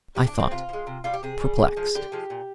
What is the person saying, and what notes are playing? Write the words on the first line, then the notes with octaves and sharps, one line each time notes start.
I thought perplexed.
C3 G4
D4
F3
G#3 C4
C3 F4
F3
G#3
C3
G3 F4
G4
C3 G#4
G3
D3
F3 G#3
D3 G4
F3 G#3
A#2